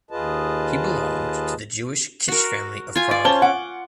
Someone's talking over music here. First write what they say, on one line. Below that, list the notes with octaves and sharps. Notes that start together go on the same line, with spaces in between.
He belonged to the Jewish Kisch family of Prague.
D#2 F4 G#4 B4 D#5 A5
F#4 A#4
F4 G#5
D5
C#4 C5 A5 G7
F#5 D6